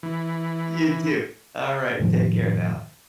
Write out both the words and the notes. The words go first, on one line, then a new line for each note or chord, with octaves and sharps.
you too, alright, take care now.
E3
F2 A2 D#3 F3